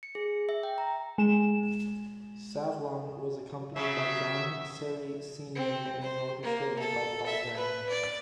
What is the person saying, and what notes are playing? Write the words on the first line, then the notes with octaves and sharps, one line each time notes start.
Sablon was accompanied by John Serry Senior and an orchestra led by Paul Baron.
C#7
G#4
E5
G5
A#5
G#3 E7
C#3 F#3 E5
C4
C5
A#3
A4
E5
B4
D5